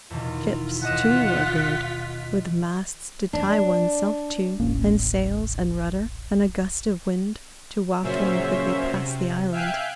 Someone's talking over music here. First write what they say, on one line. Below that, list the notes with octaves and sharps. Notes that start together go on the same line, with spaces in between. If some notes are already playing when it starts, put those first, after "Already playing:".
Ships, too, are good, with masts to tie one's self to, and sails and rudder, and a gust of wind to waft one quickly past the island.
E2 B2 D#3 F4
D#1 F4 D#5 F#5 B6 E7
D4
D#1 A1 A#3 C#4
A#2 C#3 F#3 C#4 C5 E5
C3
E5 F5 G5 G#5 F#6 G6